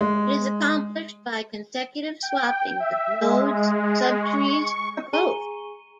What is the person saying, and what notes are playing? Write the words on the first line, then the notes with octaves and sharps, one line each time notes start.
It is accomplished by consecutive swappings of nodes, subtrees, or both.
G#3
G5
E5
G#3
C#6
G#4 G#5 A#5 C#6 D#7 G7